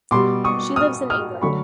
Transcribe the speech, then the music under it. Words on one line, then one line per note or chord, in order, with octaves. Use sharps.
She lives in England.
B2 G3 C6 D6
C#6 D#6
D#6 F6
D#6 F6
D3 F#3 A3 B5 C#6